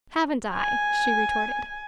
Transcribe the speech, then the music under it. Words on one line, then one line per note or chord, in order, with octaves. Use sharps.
"Haven't I!" she retorted.
G#5